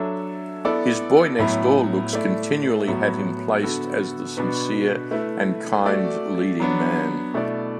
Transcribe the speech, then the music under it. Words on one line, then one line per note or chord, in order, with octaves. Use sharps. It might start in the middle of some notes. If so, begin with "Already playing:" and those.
His boy-next-door looks continually had him placed as the sincere and kind leading man.
Already playing: F#3 D4 A4 E5
B3 E4 A4 D5
A2 F#3 B3 E4
A3 E4 D5
A2 F#3 B3 F#4
D3 B3 F#4 A4
B2 B3 D4 F#4 B4
A3 E4 B4
A3 F#4 D5
F#3 B3 D4
B2 A3 E4 D5